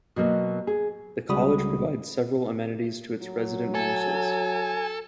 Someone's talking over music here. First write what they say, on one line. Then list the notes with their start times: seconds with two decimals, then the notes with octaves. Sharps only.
The college provides several amenities to its resident Morsels.
0.16 B2 F#3 A#3 B3
0.67 G#4
1.29 C#2 C#3 G3 F#4 B5 D#6
3.19 F#3
3.75 A4 G#5